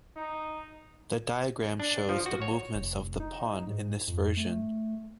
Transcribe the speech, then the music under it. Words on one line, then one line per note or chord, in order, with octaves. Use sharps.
The diagram shows the movements of the pawn in this version.
D#4
D4
F3
F#4
C#5
F1
D#4
G#2
F2
A3